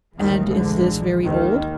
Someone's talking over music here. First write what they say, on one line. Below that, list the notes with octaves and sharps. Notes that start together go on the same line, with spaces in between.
'And is this very old?'
A#1 D#2 G#2 D#3 E3 G#3
D2 D3
D#2 D#3